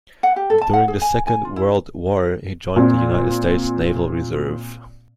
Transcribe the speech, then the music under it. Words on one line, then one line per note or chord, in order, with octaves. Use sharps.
During the Second World War, he joined the United States Naval Reserve.
F#5
G4
A4
A5
F#5
G#4
G#5
G#5
F4
E4
A#2 C4